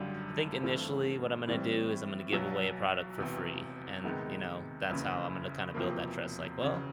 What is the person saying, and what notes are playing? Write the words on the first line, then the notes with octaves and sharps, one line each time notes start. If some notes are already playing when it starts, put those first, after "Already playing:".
I think initially what I'm gonna do is I'm gonna give away a product for free and, you know, that's how I'm gonna kinda build that trust, like, "Well,
Already playing: G#1 F#2 D3 G3
G2 E3 A3 C4
A2 E3 G3 C4
B1 B2 F#3
E1 E2 C3
C3 D#3 G#3 B3 D#4
F#1 E2 C#3
E1 E2 C3 F3 A#3
E1 E2 C#3